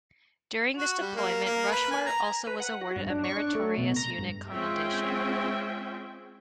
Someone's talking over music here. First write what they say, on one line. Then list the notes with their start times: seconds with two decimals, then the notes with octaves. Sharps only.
During this deployment, "Rushmore" also was awarded a Meritorious Unit Commendation.
0.76 F#4
1.00 G3
1.15 A#3
1.45 A#3
1.71 B4
1.91 G#5
2.06 A#5
2.47 B4
2.60 F#5
2.81 F#4
2.96 G2
3.10 D4
3.24 C#6
3.37 D4
3.55 A3
3.78 B2
3.96 A#5
4.19 G2
4.50 G#3 C4 C#4 F4 E5 G5